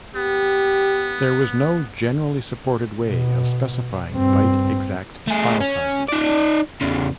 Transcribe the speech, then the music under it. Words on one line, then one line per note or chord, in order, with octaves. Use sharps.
There was no generally supported way of specifying byte-exact file sizes.
B3 G4
B2
G2 C4
A3 G#4
C#4
D#4 D5
E2 C#3